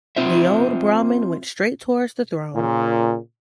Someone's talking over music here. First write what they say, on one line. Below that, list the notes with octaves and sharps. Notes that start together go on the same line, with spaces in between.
The old Brahmin went straight towards the throne.
C4 F4 C5 E5
A#2 C#3